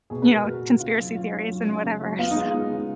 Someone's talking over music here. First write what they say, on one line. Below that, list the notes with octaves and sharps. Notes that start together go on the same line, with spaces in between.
you know, conspiracy theories and whatever, so
B2 G#4
B4
B2
A#4
B2 F#4
B2
C#3 F4
F#3
F#3 F4
C#4
F#3
C#3
C#3
F#3
B3 F4
D#4
G#3
F4
B3
C#3